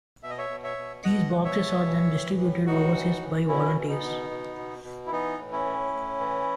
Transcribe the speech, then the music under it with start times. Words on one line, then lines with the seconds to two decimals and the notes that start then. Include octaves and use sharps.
These boxes are then distributed overseas by volunteers.
0.23 B2 E5
0.30 D#5
0.38 C#5 E5
0.49 B2
0.64 C#5 E5
0.77 B2
1.04 B2 D#5 F#5
1.32 B2
1.44 C#5 E5
1.58 B2
1.85 E3
2.13 A2
2.39 A2
2.67 A2 D#4 F#4
2.94 E3
3.22 E3
3.48 B2 C#4 E4
3.76 B2
3.89 B3 D#4
4.03 B2
4.30 B2
4.57 B2
4.84 B2
5.06 E4
5.11 E3 B3 D#4
5.39 A2
5.52 C#4 E4
5.65 A2
5.92 A2
6.20 E3